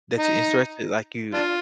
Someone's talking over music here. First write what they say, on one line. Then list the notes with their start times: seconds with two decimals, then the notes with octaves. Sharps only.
that you're interested like, you
0.19 D#4
1.34 D4 F4